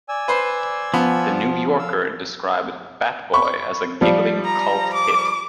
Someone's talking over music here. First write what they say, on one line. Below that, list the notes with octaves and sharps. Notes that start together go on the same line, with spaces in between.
"The New Yorker" described "Bat Boy" as a "giggling cult hit".
D5 G#5 E6
B4 C5
F3 B3
F5 E6
B5 C#6
F3 G3
A#5
D6